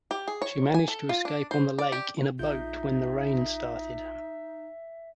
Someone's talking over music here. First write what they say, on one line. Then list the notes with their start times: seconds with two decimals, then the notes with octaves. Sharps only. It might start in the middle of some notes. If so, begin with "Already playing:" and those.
She managed to escape on the lake in a boat when the rain started.
0.11 G4
0.28 G#4
0.42 C#5
0.74 G#5
0.88 A4
1.09 F4
1.25 D4
1.51 C5
1.78 D5
1.92 G4
2.39 A#1 D#4 F4 E5 G6